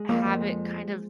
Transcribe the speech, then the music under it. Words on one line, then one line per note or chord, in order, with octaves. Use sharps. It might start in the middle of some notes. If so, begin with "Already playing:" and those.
Have it, kind of
Already playing: G#3 G#4
F2 A#3
F2
G#3